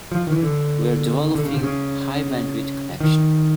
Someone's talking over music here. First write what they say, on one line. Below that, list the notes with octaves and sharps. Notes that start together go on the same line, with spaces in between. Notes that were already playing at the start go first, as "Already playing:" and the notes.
We're developing a high bandwidth connection.
F3
D#3
E3
D3
D3
C#3
C3
C#3
D#3